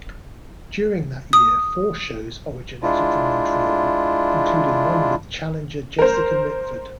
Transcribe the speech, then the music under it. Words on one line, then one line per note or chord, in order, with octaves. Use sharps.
During that year four shows originated from Montreal including one with challenger Jessica Mitford.
D#6
G#3 D4 E4 F4
A#4 C5